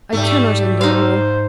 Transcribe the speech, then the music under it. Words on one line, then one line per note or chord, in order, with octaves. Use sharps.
I cannot endure more!
G#2 G3 A3
D#4 C5 F5